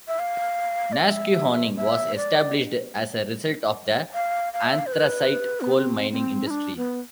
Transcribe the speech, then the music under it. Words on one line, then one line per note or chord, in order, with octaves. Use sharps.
Nesquehoning was established as a result of the anthracite coal mining industry.
E5
F5
D5
E5
E5
D5
F5
F5
E5
F5
C5
B4
B3
C4
C4
E4
D4
B3